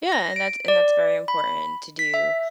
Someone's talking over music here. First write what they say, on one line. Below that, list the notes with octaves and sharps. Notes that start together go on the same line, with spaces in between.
Yeah, and that's and that's very important to do.
A#6
D7
D5
B5
B6
E5